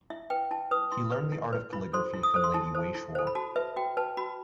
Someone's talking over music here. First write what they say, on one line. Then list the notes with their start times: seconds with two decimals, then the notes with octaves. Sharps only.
He learned the art of calligraphy from Lady Wei Shuo.
0.10 E4 E5
0.30 B4 G5
0.51 E4 A5
0.71 B4 D#6
0.92 E4 C6
1.12 B4
1.32 E4
1.53 B4
1.73 E4 B5
1.93 A4 C5 C6
2.14 E4
2.23 D#6
2.34 A4 C5 D#6
2.44 C6
2.54 E4 A5
2.75 A4 C5
2.95 E4
3.15 A4 C5
3.27 B5
3.35 F#4 A5
3.56 B4 E5
3.77 F#4 G5
3.97 B4 A5
4.17 F#4 B5